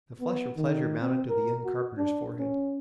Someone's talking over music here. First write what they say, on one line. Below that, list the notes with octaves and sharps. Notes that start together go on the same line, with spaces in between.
The flush of pleasure mounted to the young carpenter's forehead.
B3
D#3
C4
A#4
F#4
D4
C#4